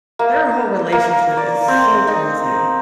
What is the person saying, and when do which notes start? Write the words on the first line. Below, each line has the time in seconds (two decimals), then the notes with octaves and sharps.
Their whole relationship is so crazy.
0.19 A#3
0.92 A#3
1.37 D5
1.68 C4
2.07 D#4